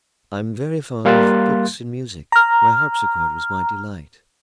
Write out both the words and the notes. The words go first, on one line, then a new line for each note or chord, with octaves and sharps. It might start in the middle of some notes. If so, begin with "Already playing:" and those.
"I am very fond of books and music; my harpsichord was my delight."
G3 A#3 F5 C6 F#6 A6
A#5 F6